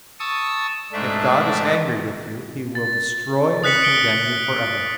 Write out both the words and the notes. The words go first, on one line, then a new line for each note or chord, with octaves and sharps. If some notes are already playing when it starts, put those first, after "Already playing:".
If God is angry with you, He will destroy and condemn you forever.
A5 C#6 D#6 E6
G#2 A3 D4 E5
A6
D#6 F#6 B6 C#7 F#7
C#7 D7 F#7 G7